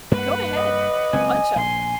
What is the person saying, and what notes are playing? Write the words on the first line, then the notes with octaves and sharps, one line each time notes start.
go ahead, punch him,
G2 A#3 B4 F#5
D#5
F#1 C#2 C4 G#5
A#1 C6